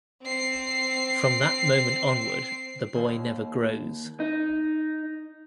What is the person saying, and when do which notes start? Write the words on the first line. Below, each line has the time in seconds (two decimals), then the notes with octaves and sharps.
From that moment onward, the boy never grows.
0.22 C4 C7
2.96 D#2
4.20 D#4